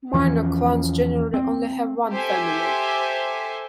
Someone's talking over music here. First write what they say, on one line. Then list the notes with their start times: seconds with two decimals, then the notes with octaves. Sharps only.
Minor clans generally only have one family.
0.13 E2 E3 F3 C#4
1.34 C4
2.11 G4 A4 C5 E5 G#5